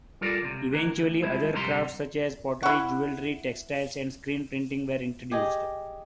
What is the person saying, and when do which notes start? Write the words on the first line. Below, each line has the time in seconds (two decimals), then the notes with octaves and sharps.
Eventually other crafts such as pottery, jewellery, textiles and screenprinting were introduced.
0.21 G3 F4 A4 A#4 D5
0.41 C#2 C3
0.71 D2 E3 A#4
0.98 D2
1.22 G2 F3 G#3 E4
1.53 G2 C3 G3 A#4 B4 C6
2.63 E4 F#4
5.31 G4 G#4 D#5